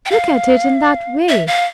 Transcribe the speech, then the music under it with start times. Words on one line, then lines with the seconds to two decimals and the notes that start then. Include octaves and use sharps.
Look at it in that way?
0.06 G5
0.11 F5
1.29 E5
1.47 F5